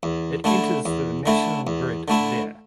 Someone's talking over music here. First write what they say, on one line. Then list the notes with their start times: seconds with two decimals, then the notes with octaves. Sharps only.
It enters the national grid there.
0.03 E2
0.44 D3 A3 E4
0.85 E2
1.26 D3 A3 E4
1.67 E2
2.08 D3 A3 E4